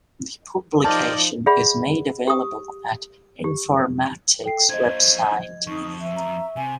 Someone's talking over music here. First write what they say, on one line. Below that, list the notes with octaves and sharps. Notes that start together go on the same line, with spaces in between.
The publication is made available at Informatics Website.
F3 D#4 G4 A#4 C5 D5 D#5 A5
G#4 D5 E5 F#5 B5
G4 D#6
G4
A4 G5 C7
D4 F4 C5 D#5 G#6
F2 D#4 C#6
E5
A#5
C3 G#5